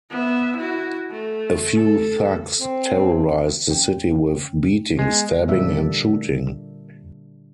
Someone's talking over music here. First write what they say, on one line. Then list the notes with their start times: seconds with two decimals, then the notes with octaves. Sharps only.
A few thugs terrorized the city with beating, stabbing, and shooting.
0.10 B3 E5
0.57 E4 F#4
1.11 A3
1.76 A4
2.59 C4
3.69 F2 C#4 G5
4.99 G#3 B3
5.48 A#2 D3 G3 A#3 D4 E5